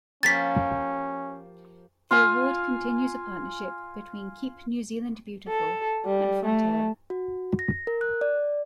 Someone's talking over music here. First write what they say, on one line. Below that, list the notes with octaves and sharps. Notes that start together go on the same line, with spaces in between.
The Award continues a partnership between Keep New Zealand Beautiful and Fonterra.
F3 A#3 C#4 G4 A6 B6
F4 F5 G#5
A4
G3
A3
F#4
A#6
A#4
F#6
D5